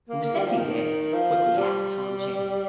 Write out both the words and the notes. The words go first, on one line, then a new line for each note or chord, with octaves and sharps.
"Who says he did?" quickly asked Tom Channing.
A#3
A#3
G3
F3
D#3
F3
G3